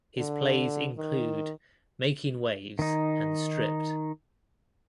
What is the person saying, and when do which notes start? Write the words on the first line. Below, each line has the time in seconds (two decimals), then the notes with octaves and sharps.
His plays include "Making Waves" and "Stripped".
0.18 D3
0.98 D#3
2.79 D#3 D#4